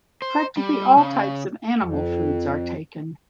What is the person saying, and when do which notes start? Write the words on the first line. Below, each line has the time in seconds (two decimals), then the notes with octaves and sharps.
Practically all types of animal foods are taken.
0.22 C5
0.57 G3
0.97 C#3
1.81 F2